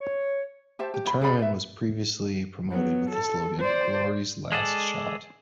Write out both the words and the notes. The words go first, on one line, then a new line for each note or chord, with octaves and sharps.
The tournament was previously promoted with the slogan "Glory's Last Shot".
C#5
G4 C5 E5 A5
G4
C#5 B5
G#4 B4 D5 B5
B4 E5
F#3 B3
A4
C5 D5
G#3 G#4 A4 D5